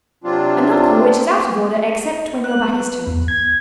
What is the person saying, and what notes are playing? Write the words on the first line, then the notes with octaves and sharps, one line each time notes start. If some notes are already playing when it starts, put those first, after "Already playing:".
A knocker which is out of order except when your back is turned.
C3 F#3 C4 D4 F4
F#6
B3
E2
G#6